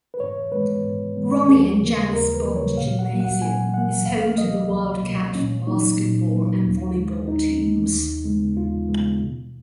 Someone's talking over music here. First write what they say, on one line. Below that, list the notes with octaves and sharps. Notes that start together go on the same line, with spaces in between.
Ronnie and Janis Bond Gymnasium is home to the Wildcat basketball and volleyball teams.
B4
G#2 C#5
D#3 G#3 B3 B4
G#2
D#3 G#3 B3
D#2 G#4
C#3 F3 A#3
D#2 A#4
B4
C#3 F3 A#3
C#5
A#2 F5
F#5
F#3 A#3
F#5
A#2 G#5
F#3 A#3 F#5
C#2 F5
F5
B2 F#3 A#3 D#5
C#2
B2 F#3 A#3
A#2 C#4
F#3 A#3 D#4
A#2
F#3 A#3
D#2
D#3 G#3
D#2 D#4
D#3 G#3
D#2
C#3 G#3 B3
D#2 F4
C#3 G#3 B3
B2